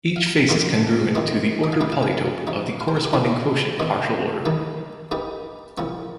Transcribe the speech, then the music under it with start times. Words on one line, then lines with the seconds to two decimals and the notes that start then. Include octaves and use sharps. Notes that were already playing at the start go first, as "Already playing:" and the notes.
Each face is congruent to the order polytope of the corresponding quotient partial order.
0.16 F5
0.26 A#5
0.38 G5
0.49 F2 D#3 C4 F5
1.15 D#2 D#3 C4 D#5
1.64 D#5
1.72 F5
1.81 A#2 G3 D#4 G5
1.92 F5
2.03 G5
2.47 C3 F3 D#4
2.80 F5
2.88 C5
2.97 A#4
3.05 G4
3.13 D#2 D#3 A#3 F4 A#4
3.80 G2 D#3 C4 D#5
4.45 D#2 D#3 G3 D#4 G5
5.11 G2 G3 A#3 D#4 G5
5.78 C2 A#2 F3 C4 G5